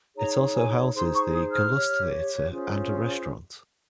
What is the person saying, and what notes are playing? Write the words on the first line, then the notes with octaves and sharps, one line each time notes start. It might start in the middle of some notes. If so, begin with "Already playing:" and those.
It also houses the "Gallustheater" and a restaurant.
D#4 G#4 C#5 A#5
G#5
D#4 G#4 C5 C6
C#6
D#6
F6
G4 C#5
C#4 F4 G#4 C5